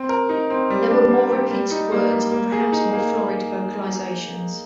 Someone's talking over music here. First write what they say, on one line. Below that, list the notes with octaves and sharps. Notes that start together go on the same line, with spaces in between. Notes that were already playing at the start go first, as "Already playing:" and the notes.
There were more repeats of words and perhaps more florid vocalisations.
Already playing: C4
A#4
D#4
C4
G3
D4
A#3
G4
G3
D#4
A#3
G3
A#3
G#4
D#4
A#3